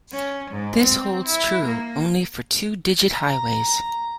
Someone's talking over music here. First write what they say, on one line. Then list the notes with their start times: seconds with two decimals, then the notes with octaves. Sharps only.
This holds true only for two-digit highways.
0.12 C#4
0.51 G#2
0.83 C4
1.26 E4
1.65 A#3
3.15 A#5